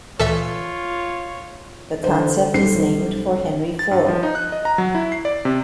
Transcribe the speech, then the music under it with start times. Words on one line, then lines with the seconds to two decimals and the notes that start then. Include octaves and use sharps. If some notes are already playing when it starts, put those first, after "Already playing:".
The concept is named for Henry Ford.
0.20 D2 A#2 E3 F4 A4 C#5 E5 E6
2.04 D3 C5
2.54 B1 G3 C#4 A4 C5 C7
3.79 A6
3.91 G2
4.08 F3
4.23 D#4
4.35 F#6
4.52 D#5
4.65 A#5
4.78 F#3
4.95 E4
5.12 C7
5.25 D5
5.45 C3